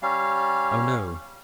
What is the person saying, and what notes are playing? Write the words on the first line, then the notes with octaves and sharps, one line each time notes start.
"Oh, no."
G3 C#4 F5